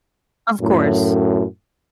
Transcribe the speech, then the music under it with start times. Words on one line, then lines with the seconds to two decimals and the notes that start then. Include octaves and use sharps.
Of course.
0.61 F#2 A2